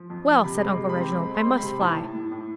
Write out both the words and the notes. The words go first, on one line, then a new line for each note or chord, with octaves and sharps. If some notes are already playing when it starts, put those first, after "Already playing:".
'Well,' said Uncle Reginald, 'I must fly.
Already playing: F3
F2
F2
C3 B5
G#3
C3
B5
C4
G#3 B5
G#3
C6
C4
B5
C3
A2 A5
A2
A2
A2